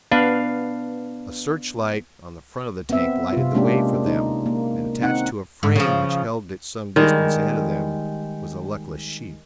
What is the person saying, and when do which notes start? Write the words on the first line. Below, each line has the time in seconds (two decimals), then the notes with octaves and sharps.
A search-light on the front of the tank lighted the way for them and, attached to a frame which held it some distance ahead of them, was a luckless sheep.
0.12 B3 D4 B4 F5
2.90 B3 C4 E5
3.33 C3 F4
3.54 G#3 A#3 C#4 D4 G4
4.06 D#4
4.46 A#3
5.02 C4 D#4 F#5
5.63 G#2
5.75 C#3 F3
6.96 D#3 G3 G#3